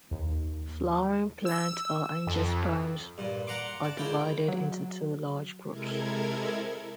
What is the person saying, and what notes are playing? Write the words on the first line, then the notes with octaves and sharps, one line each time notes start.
Flowering plants or angiosperms are divided into two large groups.
D#2
E6
F2
G2 A#2
F#5 A#5 C6 D6
D5 A5
C#2 A#3 E4 G5
F#3
C3 G#3 E4 A4 A#4 G#6